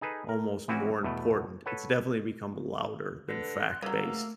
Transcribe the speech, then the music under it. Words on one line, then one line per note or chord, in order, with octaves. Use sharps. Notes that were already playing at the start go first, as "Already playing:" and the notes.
almost more important. It's definitely become louder than fact based.
D#4 G#4 A4 B4
A#4
E3 F3 C4 C#4 E4 F#4
E2 B2 A3
A4 B4 C#5 F#5
D3 B4 A#6
C6 F#6
C#3 F#3 G3 A#3 E6
A3